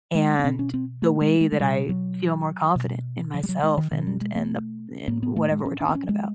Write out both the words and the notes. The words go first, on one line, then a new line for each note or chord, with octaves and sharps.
and the way that I feel more confident in myself and and the in whatever we're talking about,
G#3
C#4
B2 C4
C#4
C4
A3
G#3
G#3
G#3
B2 G3
F#3
B2
F3
G3
F#3
G#3
D#3
B2 D#3
G3
G#3
A3
A2 A#3
B3
A3
G#3
C#4
D4
C4
C#4
G#3